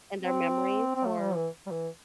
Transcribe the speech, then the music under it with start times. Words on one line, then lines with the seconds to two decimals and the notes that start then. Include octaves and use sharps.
their memories or
0.18 C4
0.96 C4
1.05 A3
1.20 G3
1.35 E3
1.66 G3
1.71 E3